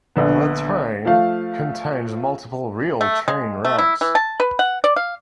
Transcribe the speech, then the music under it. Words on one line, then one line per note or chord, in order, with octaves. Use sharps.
"The Train" contains multiple real train wrecks.
A#1 D3 B3
F3 A3 F5
A3
G#3
A3
E4
E3
A5
B4
F#5
D5
F5